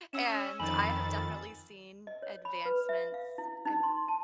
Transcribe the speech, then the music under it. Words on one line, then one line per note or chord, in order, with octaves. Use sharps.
and I have definitely seen advancements. I'm
C#4 E6 E7
F2 D#3 G#5 B5 A6 F#7
D#5
C#5
B5
B4
E5
F5
E4
D#4
C6
A5